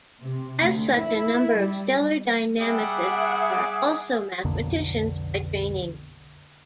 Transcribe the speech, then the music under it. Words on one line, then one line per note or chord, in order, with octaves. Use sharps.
As such a number of stellar dynamicists are also mathematicians by training.
C3
D2
E4
G3
G3 G#4 E5 F#5 G5 D6
B1 F2 D3 A#3